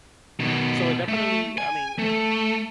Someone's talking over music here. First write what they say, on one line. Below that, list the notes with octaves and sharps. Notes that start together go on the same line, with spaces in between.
So I definitely, I mean e e
B2 D#3
A3
G#5
A3